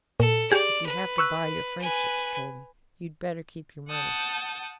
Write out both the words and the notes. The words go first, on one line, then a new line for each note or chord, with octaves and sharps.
"If you have to buy your friendships, Katie, you'd better keep your money."
A#2 A4
G4 G#4 D5
B4
C#6 E6 F#6
B4 G#5
F#5 A5 D#6 G6